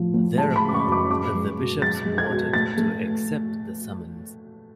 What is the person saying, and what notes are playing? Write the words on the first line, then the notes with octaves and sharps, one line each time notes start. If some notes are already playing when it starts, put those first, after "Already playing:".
Thereupon, the Bishops voted to accept the summons.
Already playing: A2 F3
A2
G#3 A5
B5
C#3
D6
C#6
F#2
D6
G#3 D6
G#3
B2
G#3 A6
G#3
G#6
B2
A3 A6
A3